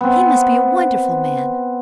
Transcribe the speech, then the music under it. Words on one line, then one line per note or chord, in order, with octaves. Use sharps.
"He must be a wonderful man."
B3 C4